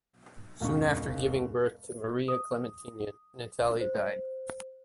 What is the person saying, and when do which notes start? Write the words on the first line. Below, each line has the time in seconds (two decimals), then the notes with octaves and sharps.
Soon after giving birth to Maria Klementyna, Natalia died.
0.60 E1 C#2 G#2 C#6
2.28 D#6
3.81 C5